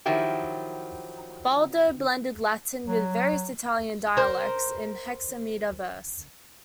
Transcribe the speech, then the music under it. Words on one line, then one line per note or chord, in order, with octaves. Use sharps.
"Baldo" blended Latin with various Italian dialects in hexameter verse.
D#3 F3 F#3 E4 G4
F#3
A#4 C5